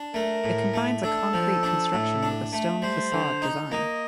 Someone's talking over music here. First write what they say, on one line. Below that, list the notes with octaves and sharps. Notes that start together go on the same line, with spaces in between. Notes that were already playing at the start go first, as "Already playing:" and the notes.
It combines a concrete construction with a stone facade design.
Already playing: D4
A3 A#4
A2
A3
D4 A4
F3
D4
A2
D4
A3
G3 C5
D3
D#4
A#3 D#5